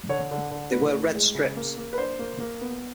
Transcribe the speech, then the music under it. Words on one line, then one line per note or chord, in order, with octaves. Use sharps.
They wear red strips.
D3 C#5
D3
D3
A2 B4
A2
G#3
C#3
A#3
A#3
B4
D4 C5
A#3
A#3
B3